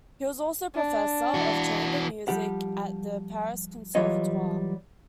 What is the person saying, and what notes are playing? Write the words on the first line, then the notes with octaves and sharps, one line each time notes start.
He was also professor of Chamber Music at the Paris Conservatoire.
D4
E3 F#4
F3 G3 G4 F#5
E3 F#3 G3 F4 C#5 D#5